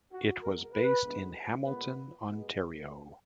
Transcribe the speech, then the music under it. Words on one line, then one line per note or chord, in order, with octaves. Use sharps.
It was based in Hamilton, Ontario.
F#4
B2 G#3 B3 A#4
B4
D2 D3 G#3 B3
A#2 G#3 B3 B4
B2 G#3 B3